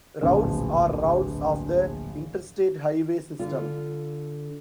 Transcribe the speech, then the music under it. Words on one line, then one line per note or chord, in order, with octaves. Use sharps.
Routes or routes of the Interstate highway system.
D1 A#1 B2 F3 B4
D3 F4